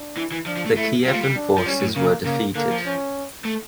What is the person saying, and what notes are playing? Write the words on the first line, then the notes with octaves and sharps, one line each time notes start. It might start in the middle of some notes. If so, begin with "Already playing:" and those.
The Kievan forces were defeated.
Already playing: D4
E3
E3
F3 D4
F3
A3
A3 E4
G3 F4
A3
G3
D4
F3
G3 C#4
A2
C#3 A#3
C#3 A#3
D3 A#3
F3
C#4
A3